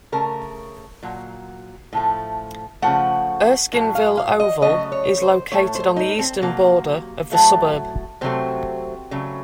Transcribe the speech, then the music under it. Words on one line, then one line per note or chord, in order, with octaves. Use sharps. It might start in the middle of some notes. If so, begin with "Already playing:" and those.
Erskineville Oval is located on the eastern border of the suburb.
C#3 A3 A#4
A#2 F#3
A2 F3 A3
C#3 F3 A3 F#5
A2 F#3
F5
F5
D#5
C#3 F#3 A3 D#5
C#5
C5
A2 A3 C#5
C5
D#4
C4
C3 F#3 A#3
A2 F#3 A3
C3 D#3 F#3 A3 C4
C#3 F#3 A3